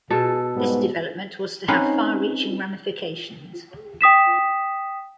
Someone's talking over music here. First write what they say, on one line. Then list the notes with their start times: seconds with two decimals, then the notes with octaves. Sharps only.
This development was to have far-reaching ramifications.
0.10 B2 G#4 A4
0.55 B1 G#2 G3 B3
1.68 C4 C#4 D#4 B4 F5 F#5
4.01 G5 D#6 B6 E7